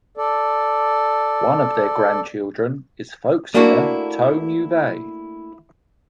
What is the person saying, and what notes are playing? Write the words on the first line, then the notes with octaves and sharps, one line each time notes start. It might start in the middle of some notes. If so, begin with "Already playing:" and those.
One of their grandchildren is folk singer Tone Juve.
A4 D5
A3 A#3 D4 E4 F#4 A4